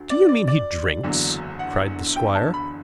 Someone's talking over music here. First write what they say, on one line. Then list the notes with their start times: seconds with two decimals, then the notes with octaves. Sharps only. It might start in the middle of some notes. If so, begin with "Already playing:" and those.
"Do you mean he drinks?" cried the squire.
Already playing: D2 D3
0.10 D5
0.29 D5
0.48 D5
1.04 F#1 E2 D3 F#3
1.59 F#5
2.16 G5
2.35 A5
2.54 B5